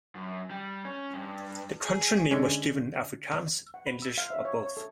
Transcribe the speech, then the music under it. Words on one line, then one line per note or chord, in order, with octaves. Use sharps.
The country name was given in Afrikaans, English or both.
F#2
G3
C#4
G2
G#4
D3 G#3 C#4
F#5
B5
E6
F5
E5
C#5
C#5
A4